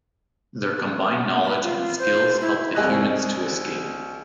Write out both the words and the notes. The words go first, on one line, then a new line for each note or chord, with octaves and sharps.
Their combined knowledge and skills help the humans to escape.
B4
F4
C5
E4
C2 G#4 D#5 F#6